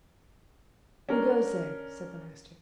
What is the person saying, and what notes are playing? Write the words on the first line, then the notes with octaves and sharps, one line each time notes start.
"Who goes there?" said the master.
C#4 D4 A#4